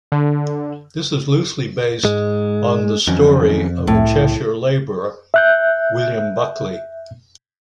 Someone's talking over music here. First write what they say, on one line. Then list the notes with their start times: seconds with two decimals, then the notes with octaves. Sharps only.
It is loosely based on the story of a Cheshire labourer, William Buckley.
0.12 D3
2.05 G#2 G#3
3.08 F2 D#3 F#3 C#4
3.87 C2 A2
5.34 E5 F#6 G6